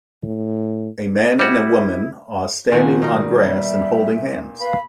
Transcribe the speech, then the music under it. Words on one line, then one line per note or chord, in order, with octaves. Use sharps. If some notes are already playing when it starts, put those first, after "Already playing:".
A man and a woman are standing on grass and holding hands.
A2
G3 E4 F#4
A#2 D#3 F3 F#4 G#5
B2 G3 D#4 A#4
E5
B4 F5 B5